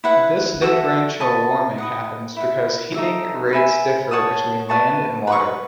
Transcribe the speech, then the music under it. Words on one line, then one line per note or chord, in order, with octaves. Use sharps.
This differential warming happens because heating rates differ between land and water.
E4 B4 F#5
F#4 A4 E5
B4 D#5 A5 C#6
B4 D#5 F#5
E4 B4 F#5
D#4 F#4 A4 E5
B4 E5 G#5 B5
C#5 F#5 A5 D#6
B4 F#5 A5 C#6
B4 F#5 C#6